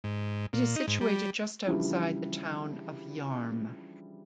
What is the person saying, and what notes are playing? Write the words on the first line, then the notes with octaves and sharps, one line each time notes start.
It is situated just outside the town of Yarm.
G#2
A#2
D#4
G#2
G3
C#3 E3 F3 G3 D4 E4